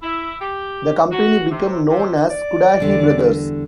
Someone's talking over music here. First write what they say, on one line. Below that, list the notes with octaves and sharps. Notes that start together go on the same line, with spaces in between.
The company became known as Cudahy Brothers.
E4
G4
F#4
C3
C3
D5
E2 D3 G3